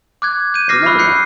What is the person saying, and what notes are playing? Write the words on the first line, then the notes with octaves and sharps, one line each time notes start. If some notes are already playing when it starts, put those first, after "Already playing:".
I remember that.
D6 F#6 G#6
G6 D#7
D6 F6 A#6 C7
B5 C#6 E6 F#6
F#6 G6 C7 C#7